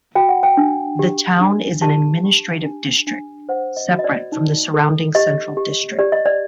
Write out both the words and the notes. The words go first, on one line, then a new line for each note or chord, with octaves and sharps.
The town is an administrative district, separate from the surrounding Central District.
F#4 G5
F#5
G5
D4
G4
D4
G4 A5
G4
D4
D4
C5 F#5
D#5
F#4
D#5
D5
D#4
A4
G4 D#5
G4
G4 D5
D#5
D5